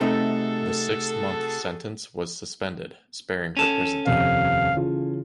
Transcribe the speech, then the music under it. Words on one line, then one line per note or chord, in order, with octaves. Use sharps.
The six-month sentence was suspended, sparing her prison time.
C3 A3 D#4 F#4 G#4 A4
C#4 A4
D#1 F2 C3 F5
C#3 E3 F4